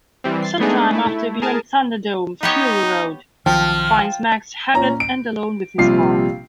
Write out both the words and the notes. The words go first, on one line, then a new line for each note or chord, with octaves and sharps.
Sometime after "Beyond Thunderdome", "Fury Road" finds Max haggard and alone with his car.
E3 G3 C4
A6 C7
G#3 A3 B3 D4 D#4 G#4
A3 E4
G#4 A#4 G#5 A5
B3 D#4 G4 C#5
B1 D#3 F3 G5 F6
A#2 C#4 A#5
D7
A#1 C3 G3 F4 C7